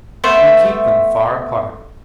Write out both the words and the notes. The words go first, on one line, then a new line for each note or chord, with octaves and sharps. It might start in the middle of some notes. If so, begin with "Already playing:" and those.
We keep them far apart.
A3 B3 C5 E5